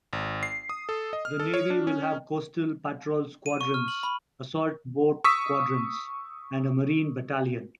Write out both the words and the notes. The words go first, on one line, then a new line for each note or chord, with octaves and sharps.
The navy will have coastal patrol squadrons, assault boat squadrons and a marine battalion.
G#1
C7
D#6
A4
D#5
F6
A4
C#5
D4
C#4
D#7
C#6
F6
F#7
B5
C#6 D#6 E6 B6